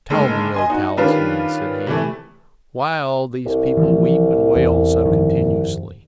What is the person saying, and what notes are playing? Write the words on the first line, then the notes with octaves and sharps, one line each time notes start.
"Tell me, O Talisman," said he, "why all these people weep and wail so continuously?"
F#1 D3 G#3
D#5 G#5 C6
D#4 F#4
D#3 G3 C#4 D4 F4 B4
C3 E3 A3
C2
E3 F3 C4
E2
G1 F2 D#3